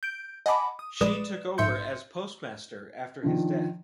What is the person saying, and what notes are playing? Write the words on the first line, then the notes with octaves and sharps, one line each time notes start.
She took over as postmaster after his death.
G6 D7
D#5 F#5 G#5 A5 B5 D6
D#6
A#1 G#3 B4 D5 D#6 E7
A#1 G#2 E5 C6 G6 C#7
D#3 F3 D4